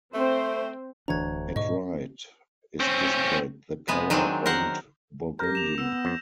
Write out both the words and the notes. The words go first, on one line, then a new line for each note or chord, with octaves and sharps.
At right is displayed the color old burgundy.
A3 C4 C5
D1 D2 E3 D4 C#5 F#5 A#5 G#6
G#2 B2 D#5 C#6
C4 C#4
C3 G#3 B3
D#3 F#3 G#3 C4 D4
A#4 C5 F#5
G4 A#4 G6 A#6
E7 F7
B3 E6
F2